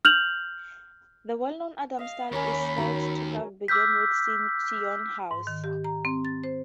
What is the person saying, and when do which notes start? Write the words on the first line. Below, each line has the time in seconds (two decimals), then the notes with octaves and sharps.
The well known "Adam style" is said to have begun with Syon House.
0.05 F6 G6 F7 F#7
1.99 D#5 F5
2.32 D#2 C#4 A#4 C#5 B5
2.78 D#3 F#3
3.68 D6 E6 F6 G6 B6
5.31 G#2
5.47 D#3
5.64 G4
5.84 A#5
6.05 C4
6.25 A6
6.44 C5